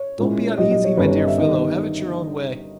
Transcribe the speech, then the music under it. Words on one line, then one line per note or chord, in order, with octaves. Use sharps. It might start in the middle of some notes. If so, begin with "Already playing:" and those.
Don't be uneasy, my dear fellow, have it your own way.
Already playing: C#5
A#2 G#3 C#4 E4
B1 A#2 G3 D#5
D#5
C#5
G1 G2 D#3 G3 C#4 B4
C#5
D#5
E5
D#3 G3 B3 D#5